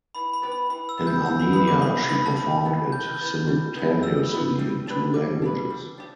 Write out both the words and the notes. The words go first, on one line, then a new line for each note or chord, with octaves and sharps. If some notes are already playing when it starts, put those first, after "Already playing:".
In Armenia she performed it simultaneously in two languages.
E3 B5
B5
B3 G4 B4
B5
E3 B5
E6
B3 G4 B4
G6
E3 E6
B5
B3 G4 B4 B5
D6
E3 B5
B3 G4 B4 B5
A5
G3 B5
B3 E4
G3 G6
B3 E4
G3
B3 E4
G3 E6
B3 E4
G3
D4 G4 B4
G3 D6
D4 G4 B4
G3
D4 G4